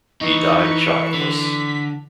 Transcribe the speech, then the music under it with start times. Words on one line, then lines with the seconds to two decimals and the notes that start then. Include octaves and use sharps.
He died childless.
0.21 E3 D#4 C#6
1.14 D3 B6